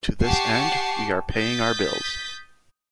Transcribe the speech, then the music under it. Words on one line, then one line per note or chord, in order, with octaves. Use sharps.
To this end, we are paying our bills.
G4 F#5 G#5 A5 C#6 C7
D#6 G6 A6 B6